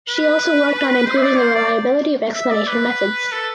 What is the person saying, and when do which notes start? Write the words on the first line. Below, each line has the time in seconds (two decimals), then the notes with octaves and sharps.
She also worked on improving the reliability of explanation methods.
0.09 B4
1.06 C5
1.18 E5
1.22 D5
1.38 C5
1.55 D5
2.35 E5
2.51 D5
2.67 B4
3.32 A4